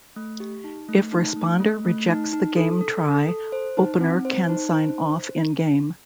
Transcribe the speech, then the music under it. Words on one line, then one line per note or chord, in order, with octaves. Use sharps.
If responder rejects the game try, opener can sign off in game.
A3
G4
D#4
A3
D#4
A3
A3
A3
D#4
D#4
A4
A4
A4
A4
C5
D#4
C4
C5
D#4
C5